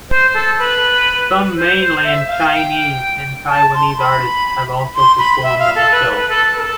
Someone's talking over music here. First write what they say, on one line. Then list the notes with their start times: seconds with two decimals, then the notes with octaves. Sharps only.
Some mainland Chinese and Taiwanese artists have also performed on the show.
0.10 C5
0.34 A4
0.58 B4
1.56 C5
1.79 C5
2.04 E5
2.27 F5
2.52 G5
3.49 A5
3.74 C6
3.97 B5
4.95 C6
5.18 B5
5.43 E5
5.59 F5
5.75 A4
5.92 B4
6.15 B4
6.29 A4
6.55 B4
6.59 A4